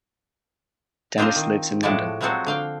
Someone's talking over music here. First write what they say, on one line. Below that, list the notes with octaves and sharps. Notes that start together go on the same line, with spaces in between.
Dennis lives in London.
C4 D4 D#4 F4 C5 D#5
D#3
A2 F3 G#3 F#4 D5 A5
F3 F#3 G#3 C4 F#4 A4
D3 F5 G5